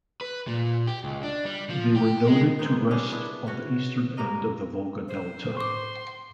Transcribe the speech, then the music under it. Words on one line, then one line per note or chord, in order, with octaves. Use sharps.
They were noted to rest on the eastern end of the Volga delta.
B4
A#2
G4
C#2
D4
G3
F3
G4
G#3
D#3 G#3 B3 C4
G3 C#4 D4 G#4
B3 D4 E4
C#4 F#4
G2 A#3 A#4 D#5
C5
A2 C6 D6